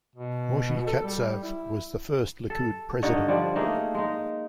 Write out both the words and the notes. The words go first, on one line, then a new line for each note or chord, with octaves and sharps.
Moshe Katsav was the first Likud president.
B2
A4
G3
E4
A4
G2 D3 D#4 C#5
F3 G3 D4
A3 A#3 D#4 G#4
G#3 D#4